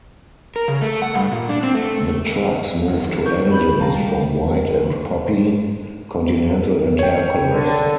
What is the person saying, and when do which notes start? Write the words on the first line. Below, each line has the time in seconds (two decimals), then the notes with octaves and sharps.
The trucks moved to engines from White and Poppe, Continental and Hercules.
0.56 A#4
0.68 C#3
0.81 A3
1.02 F#5
1.15 G2
1.32 A#2
1.49 D4
1.63 C4
1.74 A3
2.88 C#2 D#3
3.25 D#3 C#6 G6
3.50 B3 B5 G6
3.80 B2 D#3 G3 F5 G5 A5 A#5
3.93 G3
6.99 C#5 G5
7.50 D3